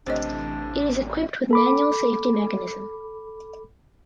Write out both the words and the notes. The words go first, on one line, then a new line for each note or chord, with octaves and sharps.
It is equipped with manual safety mechanism.
A1 C3 A3 C4 D4 C5 C#5 D#5
A4 B5 D6